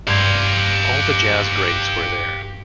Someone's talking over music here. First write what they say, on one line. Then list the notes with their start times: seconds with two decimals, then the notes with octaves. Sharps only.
All the jazz greats were there.
0.07 G2 G4 F5 C6 G#6